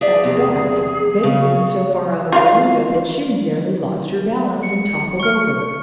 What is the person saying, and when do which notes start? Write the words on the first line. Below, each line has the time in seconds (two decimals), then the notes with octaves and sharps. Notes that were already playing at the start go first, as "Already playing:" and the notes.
At that, Betty leaned so far out of the window that she nearly lost her balance and toppled over.
0.01 G#4 D5 E5
0.24 E2 C3 G#4
1.23 C#3 C#6
2.32 F4 F#4 F5
4.63 C#7
5.20 C#6 F6